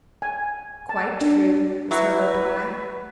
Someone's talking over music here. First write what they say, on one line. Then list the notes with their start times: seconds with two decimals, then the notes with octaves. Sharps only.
"Quite true," was her reply.
0.22 G#5
0.89 A5
1.21 D4
1.91 F#3 E4 F#4 B4